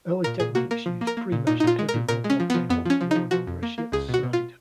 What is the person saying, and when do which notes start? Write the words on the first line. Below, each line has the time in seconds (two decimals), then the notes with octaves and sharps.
Early techniques used pre-measured heavy rope or cable lowered over a ship's side.
0.24 A#2 A#4
0.40 A#2 G#4
0.55 A#3 F#4
0.71 A#3 A#4
0.86 F3
1.01 A#3
1.07 A#4
1.17 A#3
1.32 A#2
1.47 A#2 D#4
1.60 D#4
1.63 A#2 F4
1.79 G#3
1.89 A#4
1.94 A#2
2.08 A#2 A#4
2.24 G#3
2.30 C#4
2.40 F3
2.50 F3 B3
2.69 F2 B3
2.85 F3 C#4
3.01 F3
3.11 F3 D#4
3.31 F3 F#4
3.47 F2
3.63 A#3
3.78 A#3
3.92 C#2 G#4
4.09 B2
4.14 F#4
4.23 B2
4.33 F4